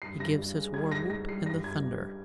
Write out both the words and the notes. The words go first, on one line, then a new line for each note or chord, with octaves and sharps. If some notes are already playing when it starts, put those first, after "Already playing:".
He gives his war-whoop in the thunder.
G2 C7
G2 A#6
G2
G#3
G3 G#6
G#2 A#6
G#2 A#6
G3 C7
G2 A#6
G2 G#6
G2